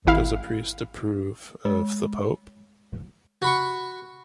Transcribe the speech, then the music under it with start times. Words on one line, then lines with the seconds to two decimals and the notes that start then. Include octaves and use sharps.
Does a priest approve the Pope?
0.07 G#1 E4 F5
1.65 G#3
3.42 F#4 B5 C#6